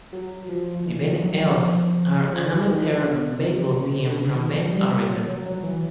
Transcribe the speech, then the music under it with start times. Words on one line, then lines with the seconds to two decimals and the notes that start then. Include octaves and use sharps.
The Bend Elks are an amateur baseball team from Bend, Oregon.
0.13 F#3
0.49 F3
0.86 E3
1.05 F3
1.22 F#3
1.41 F3
2.33 F3
2.51 E3
2.70 D#3
2.88 D3
3.07 B2
3.44 C3
3.80 C#3
3.98 D3
4.17 C#3
4.35 D#3
4.54 F3
4.72 G3
4.90 G3
5.09 F#3
5.27 F#3
5.46 F#3
5.63 E3